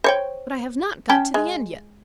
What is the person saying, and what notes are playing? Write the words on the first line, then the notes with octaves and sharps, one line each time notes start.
But I have not got to the end yet.
C5 C#5 G5
C#4 G5 A5
G#3